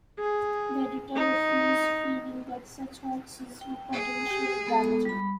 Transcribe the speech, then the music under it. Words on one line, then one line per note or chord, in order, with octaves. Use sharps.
The editor refused, feeling that such hoaxes were potentially damaging.
G#4
D#4
G5
G#4
G4 G5
G#3 B3 A4
G3 B5